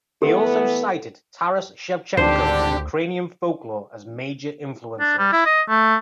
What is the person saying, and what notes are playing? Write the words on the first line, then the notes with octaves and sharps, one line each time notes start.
He also cited Taras Shevchenko and Ukrainian folklore as major influences.
E3 A3 B3 G4 A4
G#1 D2 D3 D4 G4 C5
D4
G3
E4
D#5
A3